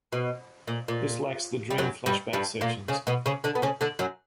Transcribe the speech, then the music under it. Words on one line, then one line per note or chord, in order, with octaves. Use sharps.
This lacks the dream flashback sections.
B2
A#2
A#2
G3
F#2 F#3
G2 G3
G2 G3
A#2 A#3
C#3 C#4
B2 B3
C#3 C#4
D3 D4
B3
C#3 C#4
D3 D4
F#2 F#3